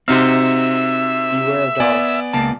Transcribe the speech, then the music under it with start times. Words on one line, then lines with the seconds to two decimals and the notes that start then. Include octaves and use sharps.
Beware of dogs.
0.08 C3 C4 D#4 F#4 C5 E5 F6
1.80 B3 D5 G#5
2.33 C#2 A#3 A5